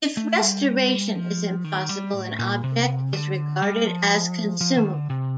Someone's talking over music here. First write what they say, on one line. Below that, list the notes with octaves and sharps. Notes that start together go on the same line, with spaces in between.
If restoration is impossible an object is regarded as consumable.
A3
G3
F3
D#3
G3
A2
A#2
C3
D3
G3
F3
F3
D#3
D3
C3